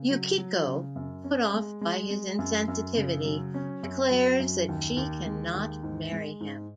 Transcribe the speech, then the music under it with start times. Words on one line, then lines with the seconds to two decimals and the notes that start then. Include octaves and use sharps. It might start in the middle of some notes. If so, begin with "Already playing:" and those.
Yukiko, put off by his insensitivity, declares that she cannot marry him.
Already playing: C#3
0.10 F#3
0.38 F#3
0.67 C#3
0.96 F#2
1.24 C#4
1.54 G#3
1.81 G#3
2.10 G#3
2.39 F#2
2.68 F#2
2.97 C#3
3.25 F#3
3.54 C#4
3.83 F#2
4.11 F#3
4.40 F#2
4.68 D#2
4.97 D#2
5.25 G#3
5.54 D#2
5.83 G#2
6.12 G#3
6.40 G#2